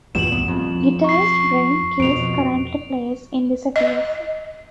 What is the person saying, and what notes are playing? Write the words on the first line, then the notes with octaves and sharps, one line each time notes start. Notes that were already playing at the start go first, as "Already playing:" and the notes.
Guitarist Brian Case currently plays in Disappears.
E2 G2 A#2 E7 F#7
C2 B3
F2
C#6 C7
F2 B2 D7 F7
D#5